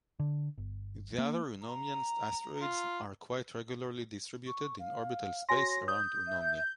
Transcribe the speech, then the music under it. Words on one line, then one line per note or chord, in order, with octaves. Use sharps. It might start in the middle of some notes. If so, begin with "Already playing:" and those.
The other Eunomian asteroids are quite regularly distributed in orbital space around Eunomia.
D3
G1
A#3
A#5
F4
C#6
F5
F#4 C#5 G#5 C6 A#6
D#6 G6
E5